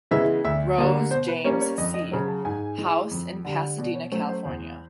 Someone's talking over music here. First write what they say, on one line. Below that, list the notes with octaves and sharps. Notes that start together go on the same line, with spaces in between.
Rose, James C. House in Pasadena, California.
C#3 E3 G#3 B3 E5
D2 E5
D3 G3 A#3 D5
B2 C5
B4
G3 A#3 C#4 C#5
C#5
F2 D#5
D#5
C#3 F#3
A5
G#2 G#5
E3 G#3
F2
D3 G3
B2 D5
C#5
F#3 A3 C#4 C5
C5
E2 C5